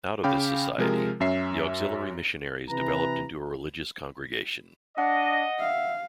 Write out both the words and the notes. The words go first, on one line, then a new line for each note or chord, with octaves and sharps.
Out of this society, the auxiliary missionaries developed into a religious congregation.
C#3 C#4 F5 G5 B5 D6
C3 F3 G#3 A#4
F#2 C#4 E5 C7
C3 E3 B4 A#5
D4 D#5 F#5
E5 F5